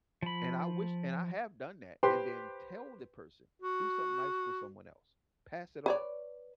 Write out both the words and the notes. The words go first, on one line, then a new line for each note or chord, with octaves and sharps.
and I wish and I have done that, and then tell the person, "Do something nice for someone else. Pass it on.
F3 B5
G4 B4 C5 C6
F#4
B4 C#5 D5